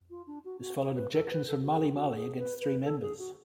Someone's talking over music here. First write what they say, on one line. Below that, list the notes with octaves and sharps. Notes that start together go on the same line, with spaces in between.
This followed objections from Malimali against three members.
F4
D4
F#4
F#4
G#4
B4
A4
B4
A4
F#4
G#4
F#4
A4
G#4
B4
B4
A4
G#4
F#4